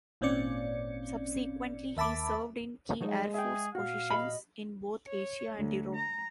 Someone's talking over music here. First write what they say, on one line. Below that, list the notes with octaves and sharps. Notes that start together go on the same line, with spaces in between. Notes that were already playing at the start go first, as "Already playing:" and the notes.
Subsequently, he served in key Air Force positions in both Asia and Europe.
G#1 A#2 C4 C#4 D5 C#7
D#2 E5 A5 B5 D6
F3 F#3 G#3 D#4
G#4 E5 G5
A#2 F#4 F5
D#5 B5
C#5
D2
A#5